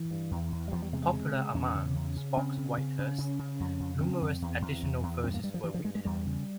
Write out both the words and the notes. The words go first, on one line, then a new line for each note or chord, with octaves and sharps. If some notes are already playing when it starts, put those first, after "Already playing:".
Popular among sportswriters, numerous additional verses were written.
Already playing: E3
G2
E2
E2
G3
E2 F3
G3
C3 G#3
G#3
C#3
C#3
E2 C#4
C#3
E2
C#3
C#3 C4
C#3
C#3
C#3
C#3 C#4
C#3
F2
F2
C#3 C4
F2
E2
E2
E2
E2
G2 C4
A#3
G2 G3
F3
G2 E3
F3
G2 G#3
G#3
E2 G3
C#3